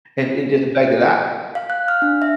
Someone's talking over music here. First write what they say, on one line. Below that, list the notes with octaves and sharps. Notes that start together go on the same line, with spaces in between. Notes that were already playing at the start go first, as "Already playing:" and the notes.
and and just the fact that I
F5
F#6
F6
D4
E5